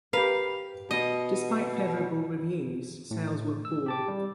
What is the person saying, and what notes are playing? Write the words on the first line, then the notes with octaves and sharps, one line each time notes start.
Despite favorable reviews, sales were poor.
G4 A#4 B4 F5
B2 D#5
A2
E6
G4 A5 D6
G3